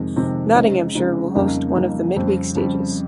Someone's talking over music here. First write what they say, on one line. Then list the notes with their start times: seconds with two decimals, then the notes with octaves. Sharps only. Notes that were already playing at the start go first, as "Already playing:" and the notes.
Nottinghamshire will host one of the midweek stages.
Already playing: F2 C3 D#3 G#3
0.16 F2 C3 D#3 G#3
0.55 C#3 G#3 C4 D#4
0.95 C#3 G#3 C4 D#4
1.35 F2 C#3 G3 A#3 D#4
1.75 F2 C#3 G3 A#3 D#4
2.16 F2 C#3 G3 C4
2.55 F2 C#3 G3 C4